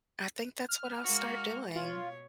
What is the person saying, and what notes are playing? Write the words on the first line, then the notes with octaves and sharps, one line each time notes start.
I think that's what I'll start doing.
F6
G#3 A#3 F#4
B2 F4 C#5